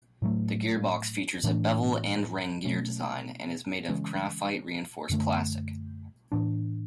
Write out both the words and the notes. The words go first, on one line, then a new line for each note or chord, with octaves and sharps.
The gearbox features a bevel-and-ring gear design, and is made of graphite-reinforced plastic.
A2 F#3 A3
A2 E3 A3 D4
B2 F#3 A3 C#4
C#3 E3 G#3 C#4
F#2 D3 A3
A2 E3 B3 D4